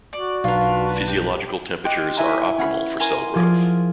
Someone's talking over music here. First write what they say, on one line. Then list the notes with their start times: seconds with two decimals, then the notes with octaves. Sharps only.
Physiological temperatures are optimal for cell growth.
0.13 F#4 D5
0.44 B1 D4 F4 A#4 B4
1.08 G4
1.84 G4 D#5 G5 C6 F#6 G6
2.17 E4 B4 E5 G#5 A#5
2.58 C#4 F#5 B5
3.00 A#4 G#5 A#5 C6
3.35 F3 F4 G#4 D5